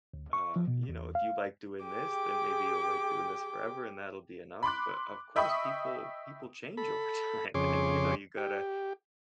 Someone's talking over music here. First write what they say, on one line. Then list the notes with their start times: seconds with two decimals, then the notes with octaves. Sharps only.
uh, you know, if you like doing this, then maybe you'll like doing this forever, and that'll be enough," but of course, people people change over time, and, you know, you gotta
0.14 D2
0.33 C#6
0.56 F3
0.68 B2
0.89 E2
1.15 F5
1.85 G4 G#4 G5 D6
4.63 B5 C6 D6 F#6
5.36 D#5 E5 G5 B5 C#6 D#6
6.77 A4 B5
7.54 F2 C#3 G#4 C#5 C6 D6
8.37 G4